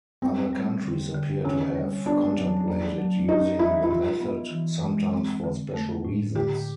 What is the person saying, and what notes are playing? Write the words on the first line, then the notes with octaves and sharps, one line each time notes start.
Other countries appear to have contemplated using the method, sometimes for special reasons.
G3 C4
G3
D3
D3
C3 C#4
G3
B3 D4
F#3
A#3
F#3
C#4 D#4
F3 E4
E4
C3 F4
B3
E3
G#3
C4
D3
A3
A2
D3 G4